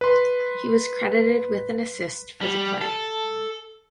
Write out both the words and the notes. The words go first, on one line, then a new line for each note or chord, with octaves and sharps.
He was credited with an assist for the play.
B4 C6
G3
A4